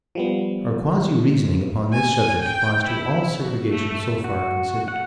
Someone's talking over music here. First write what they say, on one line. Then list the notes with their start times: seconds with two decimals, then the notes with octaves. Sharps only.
Our quasi-reasoning upon this subject applies to all segregations so far considered.
0.15 F3 G3 B3
1.93 G#5
2.42 G5
2.86 E4
3.37 F#4
3.70 A3
4.24 F#4
4.88 F#5